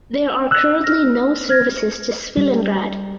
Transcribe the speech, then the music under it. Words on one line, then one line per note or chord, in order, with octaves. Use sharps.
There are currently no services to Svilengrad.
E6 F#6
F6 A#6
F6 G#6 A#6
G3